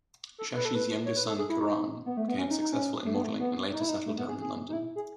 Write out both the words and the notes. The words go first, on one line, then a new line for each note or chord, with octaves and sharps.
Shashi's younger son Karan became successful in modelling and later settled down in London.
A4
B4
A4
B4
C#5
B4
A4
G#4
E4
D#4
B3
A3
B3
C#4
D#4
D#4
C#4
A3
B3
A3
B3
D#4
E4
D#4
A3
B3
G#4
G#4
D#4
E4
G#4